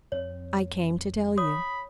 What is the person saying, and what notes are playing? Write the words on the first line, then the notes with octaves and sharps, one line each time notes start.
"I came to tell you."
F2 C4 C#5
C#5 B5 D#6